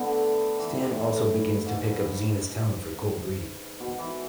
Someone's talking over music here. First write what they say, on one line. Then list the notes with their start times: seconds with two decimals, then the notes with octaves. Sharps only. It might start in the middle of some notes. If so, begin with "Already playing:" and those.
Stan also begins to pick up Zeena's talent for cold reading.
Already playing: D3 A3 B3
0.59 E3
0.95 A2
1.66 G#2
3.80 B2
3.98 E3